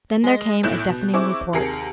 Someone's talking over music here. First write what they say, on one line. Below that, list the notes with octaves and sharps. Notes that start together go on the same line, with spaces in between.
Then there came a deafening report.
G#3 D#5
B1 A2 E4 F#6 G6 E7
B2
C4 E4 G#4 C#6 D6 E6
D#2 C3 G#4 A#4 C7 C#7